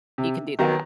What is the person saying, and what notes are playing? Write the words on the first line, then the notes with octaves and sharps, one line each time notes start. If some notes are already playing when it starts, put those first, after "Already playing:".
you can do that.
C3
D#3 F#3 B3